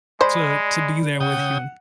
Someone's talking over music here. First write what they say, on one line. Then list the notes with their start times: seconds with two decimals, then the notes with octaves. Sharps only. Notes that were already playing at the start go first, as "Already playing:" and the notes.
to to be there with you
0.21 G#3 C5 D5 B5
1.20 C#3 F#5 G5 D#6